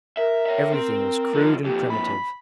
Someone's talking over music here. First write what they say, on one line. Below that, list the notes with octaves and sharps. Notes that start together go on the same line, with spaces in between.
Everything was crude and primitive.
A#4 E5
C#5 E5
C4
F3 G#3
F2 A#2 G4
B5